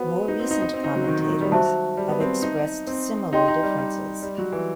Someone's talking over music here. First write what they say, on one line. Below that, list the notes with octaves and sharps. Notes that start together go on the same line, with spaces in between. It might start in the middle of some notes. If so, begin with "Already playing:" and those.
More recent commentators have expressed similar differences.
Already playing: B3 F#4 C5 F#5
D#4
C4
D#4
D#4
C4
D#4
F#3
D#3
D#3
F#3
G3
F#3 C5 E5 A5
G3
B3
C4
D#4
C4
D#4 G4 D#5 G5 C6
D#4
G3
G3
G3
F#3
E3